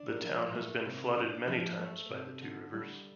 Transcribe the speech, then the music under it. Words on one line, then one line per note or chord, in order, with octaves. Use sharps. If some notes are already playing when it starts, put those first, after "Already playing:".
The town has been flooded many times by the two rivers.
Already playing: D4
A#4
F3
A3
C3
D4
F3 A4
A3
C3
D3
G3